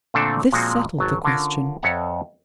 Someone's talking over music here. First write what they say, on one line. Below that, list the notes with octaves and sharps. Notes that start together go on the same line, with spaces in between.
This settled the question.
A#2 D3 A3 C4 D4 A4
A#2 F3 G#3 C4 F#4
G#1 F#3 A5
D3 C#4 F4 A#4
F2 A4 C#5 E5 F#5 A#5